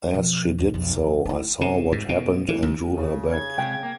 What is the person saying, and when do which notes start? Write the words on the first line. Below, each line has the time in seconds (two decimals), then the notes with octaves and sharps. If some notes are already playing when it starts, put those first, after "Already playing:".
As she did so, I saw what happened and drew her back.
0.14 B2 F3
0.58 D#2
0.74 B1 F2
0.96 F2
1.25 D4 E4
1.61 C3
1.92 G#2
2.09 B2
2.49 E3
2.63 D#2
2.96 C#3
3.32 G#6
3.58 C3 G#3 G5
3.83 A#3